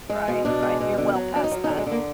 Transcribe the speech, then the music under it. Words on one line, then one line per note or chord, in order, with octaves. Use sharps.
Right, right, you're well past that.
G#3
B2
B2 D4
G#3
B2
D3
F#3
F#3 D4
D#4
F#3 F4
D#4
D3
G#3
D3 A#3